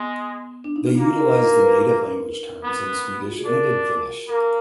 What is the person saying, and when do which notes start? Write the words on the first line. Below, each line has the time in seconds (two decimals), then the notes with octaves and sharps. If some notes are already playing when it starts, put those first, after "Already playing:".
They utilize the native language terms in Swedish and in Finnish.
Already playing: G#3 B3
0.64 D4
0.76 D#4
0.86 F4
0.98 A#3 F#4
1.18 A#4
1.40 A#4
1.52 A#4
1.60 B4
2.64 B3
3.24 F4
3.31 F#4
3.38 G#4
3.45 D4 A#4
4.29 A#3 A#4